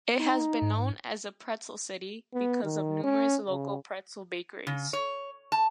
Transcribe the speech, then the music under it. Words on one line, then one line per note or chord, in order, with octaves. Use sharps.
It has been known as "The Pretzel City", because of numerous local pretzel bakeries.
D#4
G#2
B3
D#3
C#4
C#3
C#3
C#5
A5